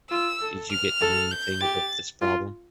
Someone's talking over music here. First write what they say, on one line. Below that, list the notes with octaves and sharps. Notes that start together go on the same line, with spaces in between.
Did you get the main thing about this problem?
F4 E6
A4
F6
A4
G6
G4 A6
F4